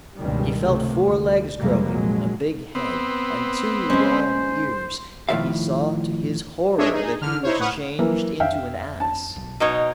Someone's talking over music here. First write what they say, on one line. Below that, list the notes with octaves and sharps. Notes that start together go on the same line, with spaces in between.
He felt four legs growing, a big head, and two long ears, and he saw to his horror that he was changed into an ass.
C#2 G2 B2 D#3 G3
C#2 C3 A3
D2
B1 F2 C3 G3 G#3 A#3
A#1 F#3 G#3
B3 C4
G#3 C#4 C5
A2 D#3 F3 E5 F5
D4 G#4 C#5 D#5 E5
D#4 G#4
D3 F6
D#4 E4 C5 C#5
A2 B4 F#5 C#6 D#6 F6
E3 F#3 A#3
F2 D4 E5 F5 G5
A5
B1
B2 D#4 C#5